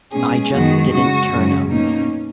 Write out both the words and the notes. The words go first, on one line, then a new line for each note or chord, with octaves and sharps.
I just didn't turn up.
B2 G#3 C#4 G#4
F#2 D#3 G#3 B3 F#4
C#3 G#3 C#4 F#4
F#2 C#3 G#3 C#4
B2 A#3 C#4 D#4